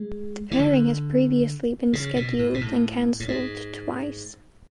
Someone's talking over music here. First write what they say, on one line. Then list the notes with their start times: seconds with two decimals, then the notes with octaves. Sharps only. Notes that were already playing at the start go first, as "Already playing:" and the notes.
The pairing has previously been scheduled and cancelled twice.
Already playing: G#3
0.51 E3
0.59 D3
1.93 C#3
2.16 B2
2.39 A2
2.54 B2
2.61 A2
3.20 A2
3.28 G#2